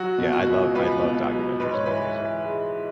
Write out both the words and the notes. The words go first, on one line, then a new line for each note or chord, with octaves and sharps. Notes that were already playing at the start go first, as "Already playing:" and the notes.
Yeah, I love I love documentaries about music.
Already playing: F#3 F#4
B2
F#4
C#2
C#2 B4
B2
F#3
G#2 B4
C#5
E3 B4
E3
G#3